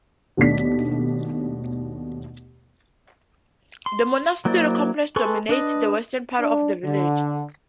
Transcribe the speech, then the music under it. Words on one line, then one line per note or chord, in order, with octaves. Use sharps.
The monastery complex dominates the western part of the village.
D#2 B2 A3 D4 D5 B6
C6
F#3 A#3 E4 C5 D5
G#4 A4 B4 C6 C#6
D4 B4 D#5
D4
D3